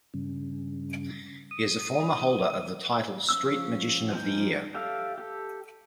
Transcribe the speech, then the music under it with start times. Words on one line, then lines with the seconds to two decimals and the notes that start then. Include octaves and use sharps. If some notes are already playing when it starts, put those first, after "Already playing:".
He is a former holder of the title Street Magician of the Year.
0.14 G2 C#3
1.51 D#6
3.29 F3 C#4 E6
4.12 F3 C#4 D#4 G5
4.74 G4 A4 D5 E5 F5
5.18 G4 A4